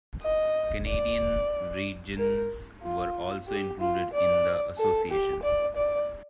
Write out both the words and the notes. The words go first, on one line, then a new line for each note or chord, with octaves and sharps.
Canadian regions were also included in the Association.
D#5
D5
A#4
F4
G4
F4
D5
A4
G4
D5
D5